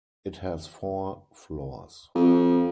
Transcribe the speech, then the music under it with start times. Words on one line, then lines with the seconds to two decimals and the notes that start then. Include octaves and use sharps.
It has four floors.
2.15 F2